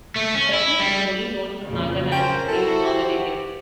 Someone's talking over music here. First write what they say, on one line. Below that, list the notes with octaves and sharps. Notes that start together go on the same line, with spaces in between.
Definitely only known from Nagaland in northern India.
A3
C#4
E4
G3
F2 A#2 C#3
C#4 A#4 C5 G5
E4 F#4 A4 C5
G4